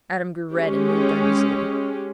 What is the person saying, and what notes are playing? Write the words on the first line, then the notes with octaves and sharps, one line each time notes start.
Adam grew red and moved uneasily.
G#3 C#4 G4